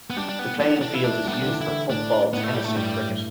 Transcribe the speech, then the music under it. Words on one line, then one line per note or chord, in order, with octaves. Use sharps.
The playing field is used for football, tennis and cricket.
B3
G3 D4
D4
B3
E3 B3
D4
E4
A3 D4
G3
B3
D4
D3
E3
E4
D3
A2 D4
A2 B3
A3
G3
A3
A2
G2 G3